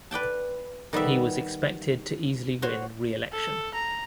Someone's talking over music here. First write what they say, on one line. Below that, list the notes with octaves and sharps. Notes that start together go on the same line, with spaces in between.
He was expected to easily win re-election.
B4 D5 G5 A5
D#3 G3 B3 E5
F#4 C5 C#5
A4
A#5